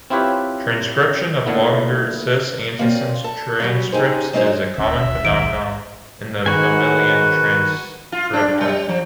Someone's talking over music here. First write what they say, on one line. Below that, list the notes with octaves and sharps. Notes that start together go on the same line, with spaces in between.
Transcription of longer "cis"-antisense transcripts is a common phenomenon in the mammalian transcriptome.
C4 E4 F4 G4 B4 C#5
A#2 D3 A3 B3 E4
A#3 C4 C#4 D5
A4
F#3 G3 C#4
D#4 G4 G#4 C5
F#3 G#3 D4 D#4 G#4 C5
D#1 A1 D2 C#4 E5
B1 D#3 D7
G#2 D#3 F#4 B4 G#5
F4
D4
G2
G3
F3